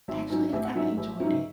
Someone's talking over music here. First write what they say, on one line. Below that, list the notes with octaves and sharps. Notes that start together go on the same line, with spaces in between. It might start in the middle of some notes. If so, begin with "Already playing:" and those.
actually, I kinda enjoyed it,
G#1 E5
G#2 F#3 C#4
A1 E5
F#5
G#2 F#3 C#4 E5
A1
G#2 F#3 C#4